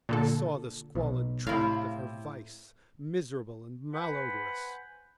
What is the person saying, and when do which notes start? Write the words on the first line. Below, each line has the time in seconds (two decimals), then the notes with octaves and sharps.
He saw the squalid tract of her vice, miserable and malodorous.
0.09 A#2 D3 A4
0.95 B1
1.47 A2 C3 E4 F5
3.93 B4 C5 F#5 G#5 B5